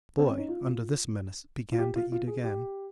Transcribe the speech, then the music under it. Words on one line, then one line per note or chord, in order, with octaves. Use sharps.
The boy, under this menace, began to eat again.
C4
C#4
D#4
F4
F4
G4
F4
F4
G#4
G4